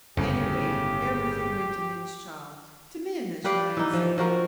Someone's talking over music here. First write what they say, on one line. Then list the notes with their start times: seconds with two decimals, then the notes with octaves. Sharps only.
Anyway, everything went to Min's child--to Min as ye might say.
0.17 G1 F2 A2 C#3 G#3 G4
3.44 G4 B4 D5 F5
3.77 E3 D#4
3.93 F3
4.18 F3 F#4 A#4